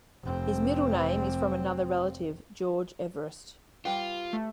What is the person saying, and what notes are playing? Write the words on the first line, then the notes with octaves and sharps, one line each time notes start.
His middle name is from another relative, George Everest.
F1 C4
G3 F4 B4 G5
A3